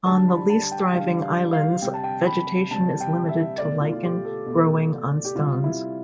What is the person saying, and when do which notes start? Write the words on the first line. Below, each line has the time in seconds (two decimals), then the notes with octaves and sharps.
On the least thriving islands vegetation is limited to lichen growing on stones.
0.05 D3 G3 A5
0.28 B5
0.50 A5
0.71 G5
0.94 D3 G3 F5
1.23 F5
1.53 F5
1.82 C3 G3 G5
1.94 A5
2.04 G5
2.26 B5
2.71 C3 G3 A5
3.00 G5
3.29 E5
3.58 B2 A3 D5
3.81 F4
3.93 F4
4.03 G4
4.25 A4
4.46 B2 A3
5.25 G4
5.35 C3 G3 F4
5.64 E4